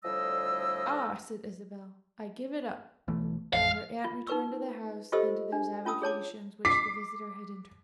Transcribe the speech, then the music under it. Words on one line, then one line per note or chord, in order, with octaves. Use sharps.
"Ah," said Isabel, "I give it up!"--while her aunt returned to the house and to those avocations which the visitor had interrupted.
D2 A2 F3 G3 D#5 E6
B1 E3 A3
A1 F2 F5
F4
D#4 A#4 B4 C#6 E6
F4 G4 A4 C5 D#5 E6
D4
C#4 F4 A5 D#6 E6
G#4 C#5 A5 D6
D6 B6 C7